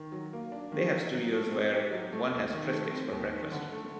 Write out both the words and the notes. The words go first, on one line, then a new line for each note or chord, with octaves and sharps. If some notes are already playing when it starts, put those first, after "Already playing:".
They have studios where one has Triscuits for breakfast.
Already playing: D#3
F#3
A#3
D4
D#3
F#3
F#3
A3
C4
G4
F#3
A3
D#2
D#3
A3
C4
D#2
D#3
D3
A3